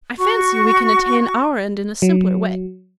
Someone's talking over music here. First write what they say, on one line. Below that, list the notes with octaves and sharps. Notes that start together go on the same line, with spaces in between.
I fancy we can attain our end in a simpler way.
F#4 C#6
F#3